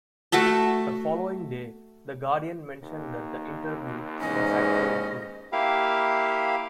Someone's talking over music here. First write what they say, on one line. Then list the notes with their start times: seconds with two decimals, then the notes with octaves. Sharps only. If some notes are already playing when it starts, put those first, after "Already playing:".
The following day "The Guardian" mentioned that the interview was actually true.
0.32 A3 F#4 E5 A5
2.83 D#2
4.20 E2 G#2 C#4 D#5
5.52 A#3 E4 G4 F5